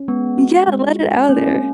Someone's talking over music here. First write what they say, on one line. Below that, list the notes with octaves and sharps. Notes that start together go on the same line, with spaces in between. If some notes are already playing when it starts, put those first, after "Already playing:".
Yeah, let it out, er
Already playing: C#4
G#3 B3
F#4
G#3
F#4
A#3 C#4